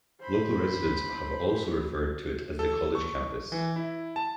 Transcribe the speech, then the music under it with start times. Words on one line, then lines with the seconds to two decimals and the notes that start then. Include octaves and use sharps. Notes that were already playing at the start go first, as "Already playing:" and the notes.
Local residents have also referred to it as the college campus.
0.21 C5 B5
2.59 A4
2.95 C#6
3.52 E3
3.76 E4
4.16 A5